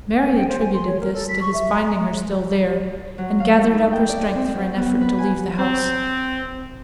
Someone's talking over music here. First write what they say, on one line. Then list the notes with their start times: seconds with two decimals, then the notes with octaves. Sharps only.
Mary attributed this to his finding her still there, and gathered up her strength for an effort to leave the house.
0.18 G#5
0.35 G5
0.49 C5
0.61 G#5
0.74 C6
0.87 C#5
1.00 A#4
1.14 A4
1.28 B6
1.41 C#6
1.53 E5
1.73 A#5
3.18 F#3
3.40 F5
3.62 E4
3.73 D#4
3.92 G5
4.09 D5
4.35 C4
4.55 F#3
4.77 B3
5.01 B4
5.18 G#5
5.59 C4